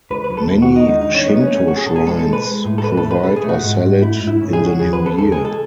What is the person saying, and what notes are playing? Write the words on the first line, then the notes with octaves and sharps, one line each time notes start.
Many Shinto shrines provide or sell it in the New Year.
C#2 B4
B4
F#3
A4
D#2
F#4
D#2
D#4
G#3 D#4
D#4
D#3
C#4
F#3 B3
D#4
C#4
A3
C#4
A3 F#4
G#4
B2 A4
G#4
G#3 A4
A4
G#3
B4
G#3
A2
A4
C#2 B4
A4
A3
B4
B2 A4
G#4
A3
F#4
G#2
G#2
A3 E4
G#2
E4
C#3
G#4
C#3
F#4
E2 G#4
B4
E2
A4
C#3 A4
G#4
G#3
A4